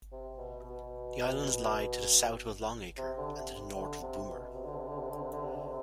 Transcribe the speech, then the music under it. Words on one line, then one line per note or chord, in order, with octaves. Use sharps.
The islands lie to the south of Longacre and to the north of Boomer.
C3
B2
B2
C3
D3
C3
C3
D3
C3
B2
C3
D3
C3
D3
C3
D3
C3
D3
C3
D3
C3